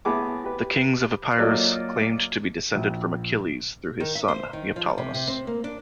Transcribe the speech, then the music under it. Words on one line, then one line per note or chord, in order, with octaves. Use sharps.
The kings of Epirus claimed to be descended from Achilles through his son, Neoptolemus.
A2 B3 G#4 B4 G#5 D6
G4 B4
F#3 A#3 F4 A4 D5 D#5
A#1
D#3
E5
C5
D#3
F3
C3
C3
C4
A#3
D4